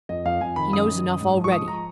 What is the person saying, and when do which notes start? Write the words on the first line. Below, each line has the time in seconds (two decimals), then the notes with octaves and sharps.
He knows enough already.
0.09 F2 D#5
0.25 F2 F5
0.41 F2 G#5
0.56 D#3 B5
0.73 F#2 D#6
0.88 D#3
1.04 F#2
1.21 G#2
1.37 F3
1.44 C#6
1.52 G#3 D#6
1.68 F3 A#5